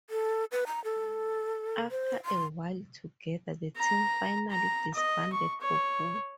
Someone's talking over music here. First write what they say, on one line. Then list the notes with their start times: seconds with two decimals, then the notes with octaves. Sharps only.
After a while together, the team finally disbanded for good.
0.10 A4
0.52 B4
0.67 A#5
0.84 A4
1.91 C5
2.25 C6
3.77 A#5
4.50 A#5
4.94 D#5
5.32 C#6
5.61 C#5